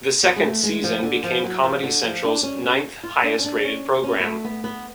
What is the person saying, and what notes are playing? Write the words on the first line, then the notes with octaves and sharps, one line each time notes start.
The second season became Comedy Central's ninth highest rated program.
B3
G#3
A3
G#3
F3
D3
F3
F#3
F3
D3
F3
D4
C#4
C#4
F4
D4
C#4
D4
C#4
C#4
B3
A3
B3
B3